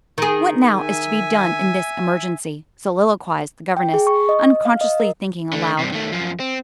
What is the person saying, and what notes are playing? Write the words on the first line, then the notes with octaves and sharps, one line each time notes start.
"What now is to be done in this emergency?" soliloquized the governess, unconsciously thinking aloud.
D#3 G#4
E5 G#5
G5
G#4
C#6
D#5
F5
D#5
A#4
D3 A3
G2 C3
D#3 A3
F#2 F3
C4